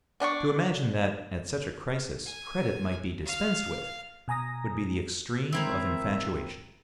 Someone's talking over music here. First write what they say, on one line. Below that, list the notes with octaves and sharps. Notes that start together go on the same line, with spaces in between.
To imagine that at such a crisis credit might be dispensed with, would be the extreme of infatuation.
B3 D4 F#5 C#6
G#5
F5
B2 G#5 A#5 D#6 A#6
D#3 F3 G#3 C4 E4 A#4 E5